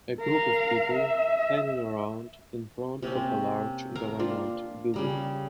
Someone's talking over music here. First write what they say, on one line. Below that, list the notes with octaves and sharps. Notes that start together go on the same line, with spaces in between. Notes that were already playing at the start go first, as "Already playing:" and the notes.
A group of people hanging around in front of a large government building.
A#4 F5
E5
C3 A#3 C4 C#4
A#4 F5 A#5
A#3 D4 F4
C#3 G3 A#5